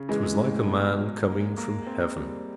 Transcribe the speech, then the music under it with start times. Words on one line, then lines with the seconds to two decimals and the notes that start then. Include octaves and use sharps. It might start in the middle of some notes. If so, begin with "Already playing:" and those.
It was like a man coming from heaven.
Already playing: C#3
0.09 E3 G#3
0.39 A2
0.68 B2
0.98 F#3
1.28 A#3
1.58 A#3
1.87 C4
2.17 G3